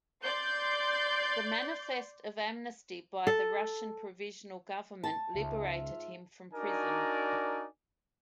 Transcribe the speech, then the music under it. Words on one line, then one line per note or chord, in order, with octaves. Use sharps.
The manifest of amnesty by the Russian Provisional Government liberated him from prison.
D5 C6 G6
A4
A5
C#2 G#2 F4 E5
D4 D#4 F#4 A#4 D5 G#5